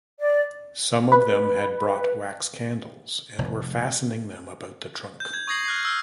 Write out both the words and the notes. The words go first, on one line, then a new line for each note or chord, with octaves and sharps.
Some of them had brought wax candles and were fastening them about the trunk.
D5
B4
F1
G6
G6 G#6
C#6 D#6 G#6 A#6 C7 F#7
F6 F#6 A#6 C7
E6 F6 G#6